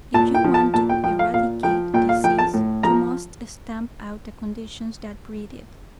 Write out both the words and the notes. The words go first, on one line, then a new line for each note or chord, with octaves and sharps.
If you want to eradicate disease, you must stamp out the conditions that breed it.
A#2 A5
G5
F3
A5
A#2 A5
G5
F3 G5
F5
A#2 F5
F3 G5
A#2 G5
F5
F3 G5
A5
A2
F3 A#5